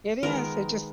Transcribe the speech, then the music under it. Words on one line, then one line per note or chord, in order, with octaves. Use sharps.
It is, it just
D#3 G#3 B3 A#4